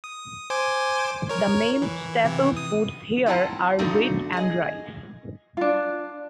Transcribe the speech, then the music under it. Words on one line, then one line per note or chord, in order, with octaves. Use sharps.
The main staple foods here are wheat and rice.
D#6
C5 G#5 D6
A#4 C#5
E3
C3 E3
D#6
C4 E4 F4 F#5 A5 A#5
G2 D3 A3 B3 D#4 F#4
G#4 D#5
D4 F4